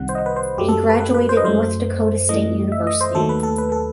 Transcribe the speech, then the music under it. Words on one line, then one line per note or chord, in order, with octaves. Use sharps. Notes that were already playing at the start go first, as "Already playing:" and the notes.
He graduated North Dakota State University.
Already playing: C2 C3 D#3 G3 F#5
C5
D#5
B4
C5
F#2 F#3 A3 G4
A4
B4
B4
B4
C5
D#5
F#2 F#3 A3 C5
F#2 E3 A3 D#5
E5
D#5
C5
D#2 D#3 F#3 A3 A4
B4
A4
B4
A4